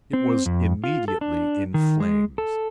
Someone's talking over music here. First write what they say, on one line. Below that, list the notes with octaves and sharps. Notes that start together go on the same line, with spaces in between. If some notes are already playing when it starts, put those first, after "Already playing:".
It was immediately in flames.
C4
F2
F4
A4
D4
D#3
G#3
A4